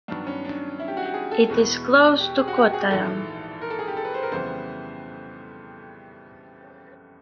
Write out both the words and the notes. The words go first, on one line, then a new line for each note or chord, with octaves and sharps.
It is close to Kottayam.
G2 D#3 F#3 B3 D4
C#4
D4
E4
G4
F#4
G4
G#4
A4
E2 B2 G#3 B3
G4
G#4
F#4
G4
G#4
A#1 G#2 E3 A4
A#4
A4
G#4
G4
A4
B4
C5
A#4
F2 C#3 E3 G3 B3 C5